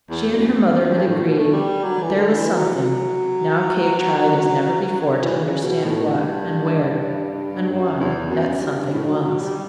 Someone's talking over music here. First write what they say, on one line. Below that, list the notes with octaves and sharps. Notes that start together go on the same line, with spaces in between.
She and her mother had agreed that there was "something." Now Kate tried as never before to understand what, and where, and why, that "something" was.
E2
F#2
G2
A2
B2
A3
G3
F#3
E3
D3
E3
F#3
F#3
E3
C#3
B2
A2
G2
F#2
E2
F#2
G2
A2
F#3
F#3
G3